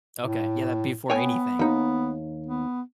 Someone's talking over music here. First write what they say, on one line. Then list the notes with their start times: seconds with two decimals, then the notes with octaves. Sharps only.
Okay. Yeah, that'd be for anything.
0.19 A2
1.10 B3 C#5 G5 G#5
1.59 D#2 D#4
2.46 B3